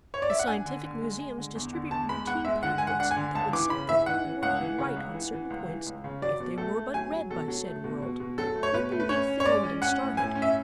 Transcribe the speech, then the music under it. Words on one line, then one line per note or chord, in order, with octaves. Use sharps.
The scientific museums distribute routine pamphlets that would set the whole world right on certain points if they were but read by said world. Let them be filmed and started.
C#5
D5
E5
F#5
D4 G#5
D3
D3
G#3
G#3
D3
E2
D3
E2 A5
G#3 B5
E2 F#5
G#3 E5
D3 F#5
G#3 G#5
F#5
D4 F#5
G#5
D3
C#2 A5
E3 D6
C#3 B5
E3 E5
E3 F#5
E3
C#2 F#5
E3
C#3
C#2
E3
E3
C#2
E3
C#2
C#3
F#3 D5
B2
A3 A4
A3
F#3 G#5
F#3
B2 A4
F#3
A3
B2
B2
B2
F#3 A4
A3
C#5
B2 B4
A3
B4
C#4 C#5
C#4
C#5
G#3 D5
C#4
C#4 F#5
A2
A2 G#5
C#4
E5